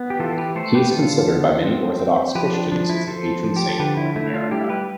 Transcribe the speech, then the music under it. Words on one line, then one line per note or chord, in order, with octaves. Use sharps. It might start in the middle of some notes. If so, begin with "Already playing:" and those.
He is considered by many Orthodox Christians as the patron saint of North America.
Already playing: B3
G4
E3 F4 A4
G4 B4
A3 A4 C5
G4 B4
D3 F4 A4
B3
C4
C4
F3 G4 B4
D4
F3 D4
E4
F3 A4 C5
F3
G4
A4
D3 G4 B4
E4
A3 E4
D4 F4
G3 E4 G4
G4 B4